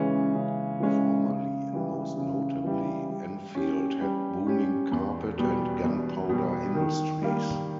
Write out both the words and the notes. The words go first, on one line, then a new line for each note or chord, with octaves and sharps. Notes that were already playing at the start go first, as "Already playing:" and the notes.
Formerly and most notably, Enfield had booming carpet and gunpowder industries.
Already playing: C#3 E3 G#3 C#4
C#3
E3 G#3 C#4
C#3
E3 G3
C#3
E3 G3
G3
C#4 G4
G3
C#4 G4
E2
B2 G3
E2
B2 G3
D#3
G3 A#3